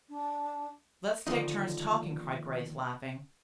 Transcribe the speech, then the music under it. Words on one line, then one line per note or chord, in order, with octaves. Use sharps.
"Let's take turns talking," cried Grace, laughing.
D4
D#2 D3 F3 D#4